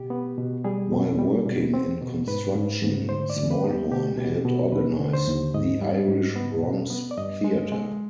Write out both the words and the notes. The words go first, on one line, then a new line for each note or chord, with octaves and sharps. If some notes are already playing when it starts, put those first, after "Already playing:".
While working in construction, Smallhorne helped organize the Irish Bronx Theater.
Already playing: B2 G4
B3
B2
G3 G#4
B2
G3
B2
C4
B2
G#2 B4
G#2
G#2
D2 C5
D5
D2
B4
B3
G4
B2 G4
B2
B2
D#2 B4
D3
C5
D#2
G#2 D#5
G3
G#2
B3
B2
B3
D5
G2 D#5
G#3
G#3